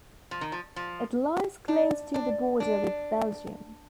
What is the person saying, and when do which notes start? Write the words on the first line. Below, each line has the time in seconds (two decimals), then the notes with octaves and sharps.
It lies close to the border with Belgium.
0.31 F3
0.41 D#3
0.52 F3
0.76 F3
1.68 D4
2.14 D4
2.60 D4